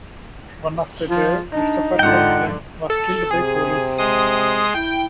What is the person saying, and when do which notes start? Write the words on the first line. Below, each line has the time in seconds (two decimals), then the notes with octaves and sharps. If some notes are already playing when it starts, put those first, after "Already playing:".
One of the trio, Christopher "Herc" Thien, was killed by police.
1.10 F3 F4
1.53 D4 D#4
1.99 G#2 D3 F4 F#5 G5
2.90 A4
3.31 C3 G#4
3.98 G#3 C6 D#6
4.74 E4 G5